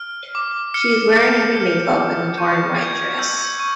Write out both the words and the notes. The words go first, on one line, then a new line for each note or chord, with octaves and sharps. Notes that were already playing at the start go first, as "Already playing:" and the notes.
She is wearing heavy makeup and a torn white dress.
Already playing: F6
D6
F6 C#7
D6 G6
F6 G6
D6
C#6 G6
G6 G#6
E6 G6
C#6